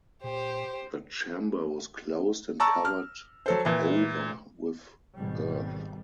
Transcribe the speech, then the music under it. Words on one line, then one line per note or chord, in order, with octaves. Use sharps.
The chamber was closed and covered over with earth.
A#2 G4 C5
D5 A5 A#5 C#6 E6
F6
F#3 A4 C5
A#2 E3
G#1 B2 D#3 G3